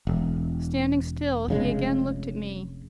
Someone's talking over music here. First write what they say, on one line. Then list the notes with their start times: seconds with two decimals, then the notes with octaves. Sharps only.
Standing still, he again looked at me.
0.07 E1
1.48 F1 C#3 G#3